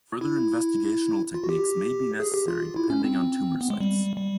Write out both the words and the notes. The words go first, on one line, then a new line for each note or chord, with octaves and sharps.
Further investigational techniques may be necessary depending on tumor sites.
E4
F4
F#4
G4
G#4
G4
F4
E4
C#4
C4
B3
G#3
G3
G3